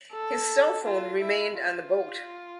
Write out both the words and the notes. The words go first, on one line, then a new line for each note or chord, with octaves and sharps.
His cell phone remained on the boat.
A4
F4
E4
F4